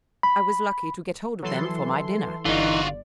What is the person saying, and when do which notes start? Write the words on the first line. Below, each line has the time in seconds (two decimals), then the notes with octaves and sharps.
"I was lucky to get hold of them for my dinner."
0.23 B5
1.43 E3 F#3 A4 C6
2.45 G1 D3 E3 D#4 F4 F#4 D5